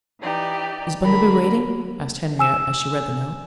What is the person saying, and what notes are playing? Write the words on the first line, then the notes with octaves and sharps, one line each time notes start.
"Is Bunderby waiting?" asked Henriette as she read the note.
E3 D#4 G4 D5
D3 A#4 B5
G#5 E6 E7